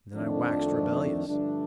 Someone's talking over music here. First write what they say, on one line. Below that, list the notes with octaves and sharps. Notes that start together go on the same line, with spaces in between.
Then I waxed rebellious.
F2 D#3 A3 D4
G2 D3 F3 A3 D4